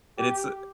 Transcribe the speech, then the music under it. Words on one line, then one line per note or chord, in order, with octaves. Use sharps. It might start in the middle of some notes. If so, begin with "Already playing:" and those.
and it's uh,
G4